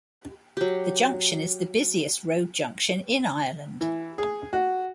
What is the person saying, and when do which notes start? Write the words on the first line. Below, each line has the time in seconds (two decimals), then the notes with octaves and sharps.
The junction is the busiest road junction in Ireland.
0.57 F#3 G4
3.81 E3
4.18 G#4
4.53 F#4